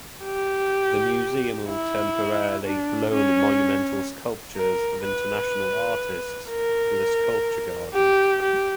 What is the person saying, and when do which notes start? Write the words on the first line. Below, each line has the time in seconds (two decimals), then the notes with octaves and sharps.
The museum will temporarily loan monumental sculptures of international artists to the sculpture garden.
0.24 G4
1.68 E4
2.65 D4
3.12 C#4
4.57 A#4
5.04 B4
6.49 A#4
7.93 G4
8.42 G4